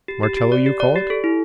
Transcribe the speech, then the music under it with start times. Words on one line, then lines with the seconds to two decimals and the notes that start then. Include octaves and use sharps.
Martello you call it?
0.08 G4
0.23 G4
0.37 G4
0.52 D5
0.66 G4
0.80 D5
0.96 G4
1.10 A4
1.24 E4